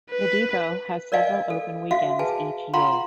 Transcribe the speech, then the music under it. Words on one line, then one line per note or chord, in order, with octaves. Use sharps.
The depot has several open weekends each year.
B4
A#4 D5 D#5 F5 G#5
A4
F#4 E5 F5
G#4 B4 G#5 A5
F4 F5 F#5 A#5 C6